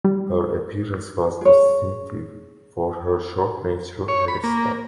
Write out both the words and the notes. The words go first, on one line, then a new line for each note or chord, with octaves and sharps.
Her appearance was distinctive for her short natural hairstyle.
G3
G#4 C#5
C#5
B5
A#3